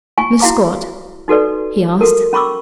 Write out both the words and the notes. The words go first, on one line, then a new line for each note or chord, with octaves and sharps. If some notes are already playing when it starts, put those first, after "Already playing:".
"Miss Scott?" he asked.
F4 G#5 C#6
E4 F#4 F5 A#5 D6
D#4 F#4 A4 B4 D5
F#4 A4 A#4
C#4 B5 C#6 D6 E6